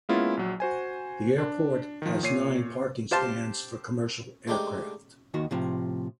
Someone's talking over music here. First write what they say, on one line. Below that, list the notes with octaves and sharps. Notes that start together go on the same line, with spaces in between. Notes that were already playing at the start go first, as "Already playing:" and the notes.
The airport has nine parking stands for commercial aircraft.
G#3 A#3 B3 C#4 E4 F4
A#1 F#3
F#4 C5 G#5
D4
D#3 F3
A#2 C#5 C7 D#7
G4 C5 F5 A5 C6
G#3 A3 D4 D#4 G4
D#2 D#3 F#4
A2 C3 F3